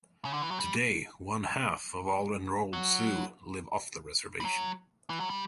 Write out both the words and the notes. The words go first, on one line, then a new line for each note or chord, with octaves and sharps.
Today, one half of all enrolled Sioux live off the Reservation.
C#3
D3
E3
F#3
G3
F#3
G3
F#3
E3
F#3
G3